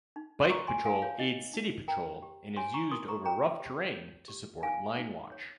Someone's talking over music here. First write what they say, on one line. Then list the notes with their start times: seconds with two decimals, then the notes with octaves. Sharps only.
Bike patrol aids city patrol and is used over rough terrain to support linewatch.
0.16 D#4
0.44 C6
0.50 A#4 A#5 C#6
0.67 G#5 C6
0.85 A#4 F5 G#5
1.02 C#5 F5
1.19 D#4 D#5
1.54 D#4
1.88 A#4 G5 A#5
2.22 G4
2.56 C#5 G#5 C6
2.74 A#5 C#6
2.91 A#4 C6 D#6
3.08 A#5 C#6
3.25 C#5 G5 A#5
3.60 G4
3.94 C#5
4.28 G4
4.63 D#4 F5 G#5
4.98 D#4
5.32 C#5